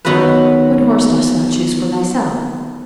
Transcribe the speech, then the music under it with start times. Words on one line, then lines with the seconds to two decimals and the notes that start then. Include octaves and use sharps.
"What horse dost thou choose for thyself?"
0.05 D#3 F#3 B3 F#4 A4 B4